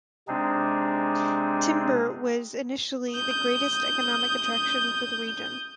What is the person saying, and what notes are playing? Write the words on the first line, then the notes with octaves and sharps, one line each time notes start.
Timber was initially the greatest economic attraction for the region.
C3 G#3 C4 D4 D#4 G#4
D#6 G6